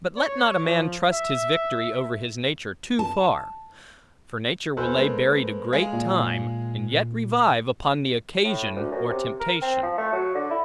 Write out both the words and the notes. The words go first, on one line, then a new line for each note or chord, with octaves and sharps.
But let not a man trust his victory over his nature, too far; for nature will lay buried a great time, and yet revive, upon the occasion or temptation.
C#5
F3
E5
A5
E2 A4 B4 C5
G#3 A#3
G#3 G#4 F5
A#2
A2
D2
F#2
C3
A#4
C4
F3
A3
F#3
D3
E4